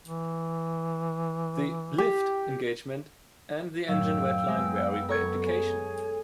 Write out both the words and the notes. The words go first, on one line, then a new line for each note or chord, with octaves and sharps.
The "lift" engagement and the engine redline vary by application.
E3
G4
F#2 A2 D#3 F#3 F5 G5 E6
F#2 G#3 B3
A4 A#5 C#6 G#6
G#4 C#5 G#5